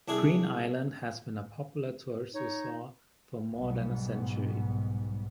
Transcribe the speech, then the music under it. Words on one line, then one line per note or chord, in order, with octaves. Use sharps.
Green Island has been a popular tourist resort for more than a century.
C2 D4 E4 G#4
D#4 C#5
B1 G#2 G3 B3